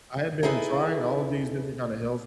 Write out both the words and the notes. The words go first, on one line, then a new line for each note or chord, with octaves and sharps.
I had been trying all these different kind of health st
D#4 E4 G#4 A4 B4